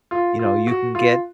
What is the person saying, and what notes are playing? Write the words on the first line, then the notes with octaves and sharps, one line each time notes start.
you know, you can get
F4
F4
F#4
F4